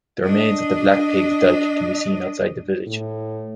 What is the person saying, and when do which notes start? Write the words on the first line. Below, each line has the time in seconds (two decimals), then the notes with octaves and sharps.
The remains of the Black Pig's Dyke can be seen outside the village.
0.24 D4 D#5
2.86 A2